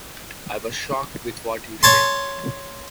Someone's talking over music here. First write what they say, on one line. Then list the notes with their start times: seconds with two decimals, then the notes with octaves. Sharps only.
I was shocked with what you said.
1.83 C#5 A5 C6